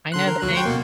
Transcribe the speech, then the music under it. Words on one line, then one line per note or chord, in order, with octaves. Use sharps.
I know the name
D3 C6 F#6
A#4
D2 F#3 F#6
G5 C6 C#6
B2 A#3